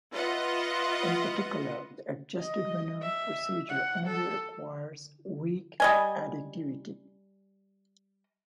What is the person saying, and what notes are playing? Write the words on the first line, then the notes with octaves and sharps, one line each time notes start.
In particular the adjusted winner procedure only requires weak additivity.
F4 B4 D#5 E5 F#5
D#5
E5
F#5
A4
G3 D#5 G#5